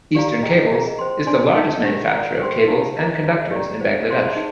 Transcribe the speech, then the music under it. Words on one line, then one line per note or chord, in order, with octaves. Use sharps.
Eastern Cables is the largest manufacturer of cables and conductors in Bangladesh.
G4 D5 F5 A#5
G#4 D#5 G5 A#5
F4 G#4 D#5 A#5
C5 G5 C6
D4 G#4 D5 G#5 C6
D#4 A#4 D#5 G5
D4 G4 A#4
F4 A#4 D5 F5 A#5
G4 C5 G5 C6
D#4 G4 A#4 F5
A#4 D#5 A#5
G#4 D#5 A#5
G4 D5 G5 A#5
G#4 C5 F5
G#4 C5 F5 C6
D#4 G#4 D#5